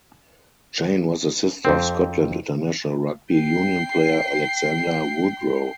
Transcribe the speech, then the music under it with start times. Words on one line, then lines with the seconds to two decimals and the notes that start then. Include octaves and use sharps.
Jane was the sister of Scotland international rugby union player Alexander Woodrow.
1.65 F2 C4
3.34 G5 C7